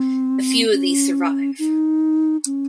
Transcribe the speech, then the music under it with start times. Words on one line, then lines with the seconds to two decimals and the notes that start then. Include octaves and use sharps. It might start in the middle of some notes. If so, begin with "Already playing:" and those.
A few of these survive.
Already playing: C4
0.73 C#4
1.59 D#4
2.46 C#4